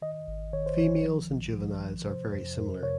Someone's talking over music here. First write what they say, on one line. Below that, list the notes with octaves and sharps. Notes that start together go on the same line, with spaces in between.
Females and juveniles are very similar.
D#3 D#5
G#1
D#3 C#5
C5
D#3 C#5
F3
A#1
F3
F3
C3 C5
F2
F2 A#4
C3 C#5